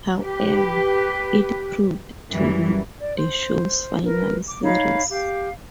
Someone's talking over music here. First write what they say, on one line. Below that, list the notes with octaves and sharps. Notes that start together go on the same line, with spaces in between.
However, it proved to be the show's final series.
G4 B4
F#2 E3 G3
D5
C5
A#4 B4
D6
D#4 C#5 F5 B5
G4 F5